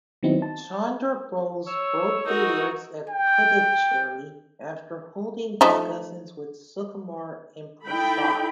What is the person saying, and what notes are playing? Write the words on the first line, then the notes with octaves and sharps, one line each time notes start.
Chandrabose wrote the lyrics at Puducherry after holding discussions with Sukumar and Prasad.
D#3 F#3 B3 C4 D#4 E4
A5
C#5 E6
D#4 F#4 A#4
G5
F3 A3 D#4
D#4 E4 A4 G5 B5